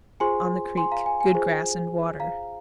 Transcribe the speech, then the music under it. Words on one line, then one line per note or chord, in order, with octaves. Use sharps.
On the Creek.--Good grass and water.
F4 G#4 C5 G#5 C6
G#5 C6
F5 A#5
G#5
G#5
F4 G#4 C5
F5 A#5